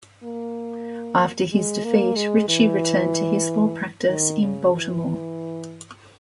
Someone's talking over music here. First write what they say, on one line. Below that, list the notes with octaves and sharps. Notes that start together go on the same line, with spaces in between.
After his defeat, Ritchie returned to his law practice in Baltimore.
A#3
G#3
A#3
G#3
E3
D#3
C#3
E3